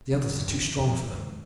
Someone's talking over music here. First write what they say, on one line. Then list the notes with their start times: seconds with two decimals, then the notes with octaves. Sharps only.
The others are too strong for them.
0.12 F#3
0.33 F#2 D3
0.48 G2
0.61 E3
0.77 F2 C3
1.13 D#3 G#3